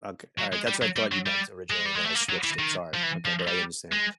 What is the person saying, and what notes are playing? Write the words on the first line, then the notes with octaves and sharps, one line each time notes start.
Okay, all right, that's what I thought you meant originally, and then I switched it, sorry. Okay, but I understand.
F#3
G#3
G3
F#3
G3
F#3
G3
G#3
G3
G#3
A3
A#3
F#3
E3
D#3
F3
E3
F3
G3
G#3